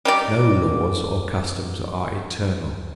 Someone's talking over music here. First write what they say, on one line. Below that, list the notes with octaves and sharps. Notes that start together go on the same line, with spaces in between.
No laws or customs are eternal.
G3 D#4 D5